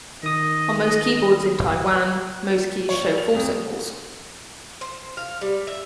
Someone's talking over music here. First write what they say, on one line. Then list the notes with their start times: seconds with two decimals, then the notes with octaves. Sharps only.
On most keyboards in Taiwan, most keys show four symbols.
0.23 D#3 D#5 D#6
2.89 C#5
3.03 G3
3.18 F7
3.35 F2
4.81 C5
5.17 F5
5.41 G3
5.67 E5